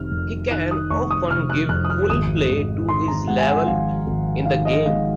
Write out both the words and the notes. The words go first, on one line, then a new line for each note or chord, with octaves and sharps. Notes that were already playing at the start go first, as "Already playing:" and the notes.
He can often give full play to his level in the game.
Already playing: F1 C3 D#3 F6
F2
D#3 F#6
D#6
F1 C#6
D#6
C3 F6
F#6
F2 F#6
D#6
F6
G#1 D#6
G#1
D#3 C6
A#5
G#2 F#5
G#5
F#5
G#1 F5
G#1
D#3 F5
D#5
G#2 F5